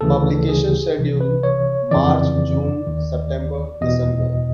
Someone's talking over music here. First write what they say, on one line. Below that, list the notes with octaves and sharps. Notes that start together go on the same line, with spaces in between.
Publication schedule March, June, September, December.
D2 C#3 E3 A4
G#4
C2 C3 E3
B4
C#5
F2 C#3 E3 D5
D#2 D#3
E2 B2 D#5